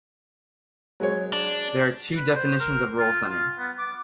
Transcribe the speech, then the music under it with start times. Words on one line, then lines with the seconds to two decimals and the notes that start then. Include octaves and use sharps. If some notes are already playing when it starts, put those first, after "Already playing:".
There are two definitions of roll center.
1.00 F#3 G#3 C#5
1.33 D4
2.17 B4
2.36 C5
2.60 A#4
2.99 F4
3.29 F4
3.59 B3
3.79 D6